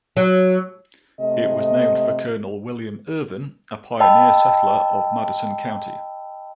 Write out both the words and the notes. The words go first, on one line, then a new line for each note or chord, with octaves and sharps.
It was named for Colonel William Irvine, a pioneer settler of Madison County.
F#3
C3 A3 D#5
D#5 G5 A5 B5 E6